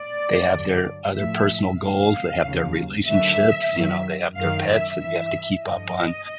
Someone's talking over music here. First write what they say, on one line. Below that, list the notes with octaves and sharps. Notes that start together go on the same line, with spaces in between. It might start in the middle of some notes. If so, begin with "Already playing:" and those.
they have their other personal goals, they have their relationships, you know, they have their pets, and you have to keep up on
Already playing: D5
G2 D3 F#3
A2 F3 E5
D2 C3 D#3 F#3 F5
D#2 C#3 F#3
D#2 D3 F#3 E5
F#2 D#3 F#3
F#2 D#3 F#3 F5
E5
G2 E3 E5
G2 D3 F3 D#5